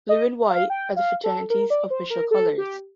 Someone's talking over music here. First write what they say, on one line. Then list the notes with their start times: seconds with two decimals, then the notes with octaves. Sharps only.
Blue and white are the fraternity's official colors.
0.09 D#5
0.49 F5
0.70 G5
0.96 F5
1.24 A4
1.50 A#4
1.70 D5
1.90 C5
2.10 A#4
2.31 A4
2.58 G4